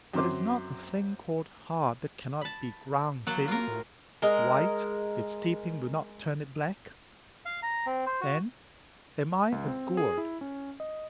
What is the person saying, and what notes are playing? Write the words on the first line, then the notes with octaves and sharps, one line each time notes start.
But is not a thing called hard that cannot be ground thin; white, if steeping will not turn it black? And am I a gourd?
F#2 C4 C6 D6
A5 B5
F#3 A#3 F#5 A5
F4 A#4
A2
G#3 A#4
F5
A#5
C4
C5
F#4
C#2
C4
G#4
E4
C#4
D#5